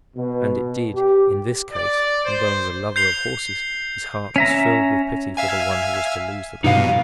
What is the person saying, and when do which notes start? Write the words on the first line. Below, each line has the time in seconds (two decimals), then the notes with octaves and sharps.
And it did, in this case, though as a lover of horses his heart was filled with pity for the one who was to lose the battle.
0.17 B2
0.95 G4
1.71 D5
2.24 C5
2.96 G6 C7 F7 G7
4.36 C#4 E5 A#5
5.37 E5 F5 G#5
6.64 G2 B2 D#4 F5